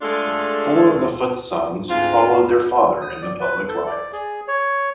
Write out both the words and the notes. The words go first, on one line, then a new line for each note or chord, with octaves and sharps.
Four of the Foots' sons followed their father into public life.
G#3 A3 D4 F4 G#4 A4
D2 G#2 C4 F4
D#6
D5
B4
A4
D5
G#4
C#5